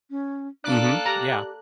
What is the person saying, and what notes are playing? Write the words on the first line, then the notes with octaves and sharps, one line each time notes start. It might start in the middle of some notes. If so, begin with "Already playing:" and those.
Mhm. Yeah.
C#4
A#3 D4 A4 D5 F#6
G4 A#5